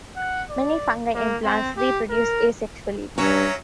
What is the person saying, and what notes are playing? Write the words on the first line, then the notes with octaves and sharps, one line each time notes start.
Many fungi and plants reproduce asexually.
F#5
D5
A#3
C4
G4
A#4
G2 F#3 C#4 C#5 E5 A#5